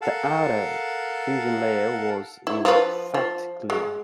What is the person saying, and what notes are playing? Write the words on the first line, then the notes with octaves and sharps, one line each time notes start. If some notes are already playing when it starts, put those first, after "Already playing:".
The outer "fusion layer" was in fact glue.
A4 A#4 F5 F#5 A5
E4
F3 B4
F3
G#3